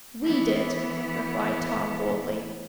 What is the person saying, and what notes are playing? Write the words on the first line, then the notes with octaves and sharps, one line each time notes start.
"We did," replied Tom boldly.
E3 B3